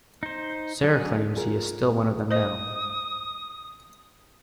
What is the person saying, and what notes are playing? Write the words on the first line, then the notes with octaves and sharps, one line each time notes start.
Sarah claims he is still one of them now.
D#4 C5
F#3 G#4
F4 G#4 A#4
C5 D#5 D#6